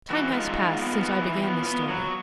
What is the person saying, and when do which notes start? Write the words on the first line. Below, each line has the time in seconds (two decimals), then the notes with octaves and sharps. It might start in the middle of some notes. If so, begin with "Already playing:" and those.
Time has passed since I began this story.
0.10 E3 E4 F#4
0.32 G#3 D#4 F4
0.55 G#2
0.77 B3
1.00 B3
1.21 E3
1.43 B3
1.66 B3
1.88 F#3